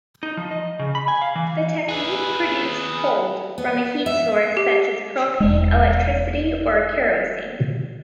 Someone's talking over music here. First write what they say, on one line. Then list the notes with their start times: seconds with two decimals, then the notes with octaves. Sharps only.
The technique produced "cold" from a heat source such as propane, electricity, or kerosene.
0.23 D#4
0.37 F3
0.51 D#5
0.79 C#3
0.95 B5
1.08 G#5
1.22 F5
1.36 E3
1.89 G#4 B4
3.58 B3
4.06 E5
4.57 G4
5.40 E1 G#3